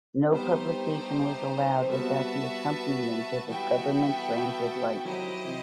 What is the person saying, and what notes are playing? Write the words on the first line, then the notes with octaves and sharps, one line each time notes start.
No publication was allowed without the accompaniment of a government-granted license.
C4
G3 A3 B3 D#4 G4 C5
C4
G3 B3 F#4 B4 E5 A5
E3 G3 B3 F#4 A4 E5 G5
D#3 F#3 E4 G4 C5 D#5
C3 E3